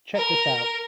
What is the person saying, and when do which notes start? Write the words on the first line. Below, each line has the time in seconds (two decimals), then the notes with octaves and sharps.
Check this out.
0.15 A#4